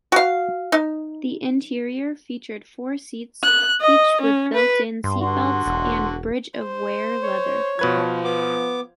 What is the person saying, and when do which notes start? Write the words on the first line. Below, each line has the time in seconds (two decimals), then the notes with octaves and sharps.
The interior featured four seats each with built-in seatbelts and Bridge of Weir leather.
0.12 F#4 F5
0.72 D#4
3.43 F#6
3.81 D#5
4.22 C#4
4.55 B4
5.04 G2 C6
5.21 D3 F#4 C6
5.66 E1
6.58 C5
7.22 C#5
7.79 B2 F3 B4 G#6
8.24 B3 D6